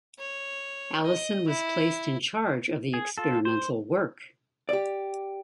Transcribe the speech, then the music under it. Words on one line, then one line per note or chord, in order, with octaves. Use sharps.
Allison was placed in charge of the experimental work.
C#5
D#5
E4
G#4
F4 A4
C5
G4 D5